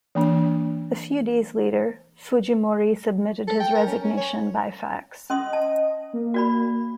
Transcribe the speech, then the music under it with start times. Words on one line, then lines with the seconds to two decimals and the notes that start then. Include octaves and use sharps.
A few days later, Fujimori submitted his resignation by fax.
0.15 E3 A#3 D4
3.48 A4
3.60 G5
3.75 A#4
3.87 C#4
4.03 C#4
4.17 C#5
5.30 C#4 D#5 C6 D#6
5.53 A5
6.13 A#3
6.34 F#4 D5 B5